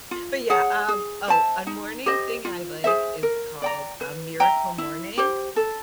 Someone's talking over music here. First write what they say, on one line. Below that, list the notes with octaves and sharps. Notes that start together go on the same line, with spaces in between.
but yeah, um Oh, a morning thing I like is called a Miracle Morning.
F4
G#4 C#5 F#5
G#4
C5 E5 A5
D#4
G4 C5 D#5
F4
G#4 C5 E5
A#4
D5 G5 A#5
B4
E5 G5 A#5
E4
G4 C5
A4